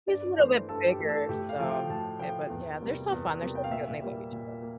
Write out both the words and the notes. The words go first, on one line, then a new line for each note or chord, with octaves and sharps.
he's a little bit bigger, so, yeah, but, yeah, they're so fun, they're so cute, and they love each other.
G2 D5
E3 A3 C5
G2 A4
G4
E3 A3
A4
A2 G4
F5
F3 A3
G5
A2 A5
F3 A3 G5
E2
C3 G3 A#3
E2
C3 G3 A#3
G5
F5
A#2 E5
G3 A#3
A#2
A#3